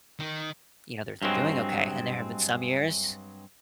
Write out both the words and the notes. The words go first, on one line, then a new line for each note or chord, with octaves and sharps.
you know, they're they're doing okay and there have been some years
D#3
G2 F#3 G#3 C4